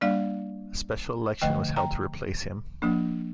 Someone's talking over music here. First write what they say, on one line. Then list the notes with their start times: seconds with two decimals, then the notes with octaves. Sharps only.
A special election was held to replace him.
0.01 G3 A#3 D4 D5 F5
1.42 D3 F3 A3 D#5 G5
1.76 G5 A#5
2.82 F3 A#3 D4